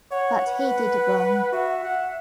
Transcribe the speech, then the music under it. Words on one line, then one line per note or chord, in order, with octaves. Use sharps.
But he did wrong.
C#5 F#5
B4
F#4 E5
F#5